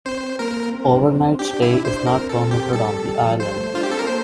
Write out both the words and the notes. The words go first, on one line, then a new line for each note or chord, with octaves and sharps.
Overnight stay is not permitted on the island.
C4 C5
A#3 A#4
C4
D4
C4
D4 G4
E4
D4
C5
C4 A#4
A4
G4
G3 A4
G3
G3
F3
G3 C5
A3
D4 F4
G4
C4 A4
A#4
A#3 C5